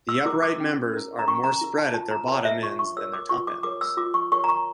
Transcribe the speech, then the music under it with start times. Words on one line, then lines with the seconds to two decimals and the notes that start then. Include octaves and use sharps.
The upright members are more spread at their bottom ends than their top ends.
0.09 E6
0.25 E4 A#4 D6
0.43 D6
0.60 C#4
0.93 E4 A#4
1.19 A#5
1.27 C#4 C#6
1.44 A#5
1.61 E4 A#4
1.78 A5
1.94 F4 A5
2.11 A#5
2.28 A#4 C#5 A5
2.45 E5
2.62 F4 C#6
2.79 C#6
2.97 A#4 C#5 E6
3.13 D6
3.29 F4 C#6
3.47 D6
3.63 A#4 C#5 D6
3.81 E6
3.97 F4 D6
4.14 C#6
4.32 A#4 C#5 C#6
4.44 A#5
4.49 C#6